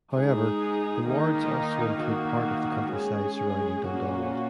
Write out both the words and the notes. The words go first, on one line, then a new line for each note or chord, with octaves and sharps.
However, the wards also include part of the countryside surrounding Dundonald.
G#3 D#4 G#4
D#3 A#3 D#4
D#3 A#3 F#4
G#3 C#4 G#4
A#2 A#3 C#4 F#4